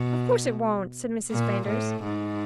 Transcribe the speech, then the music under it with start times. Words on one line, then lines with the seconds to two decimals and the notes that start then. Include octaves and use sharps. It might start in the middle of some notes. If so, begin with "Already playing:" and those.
"Of course it won't," said Mrs. Flanders.
Already playing: B2
1.31 A#2
1.68 A2
2.04 G#2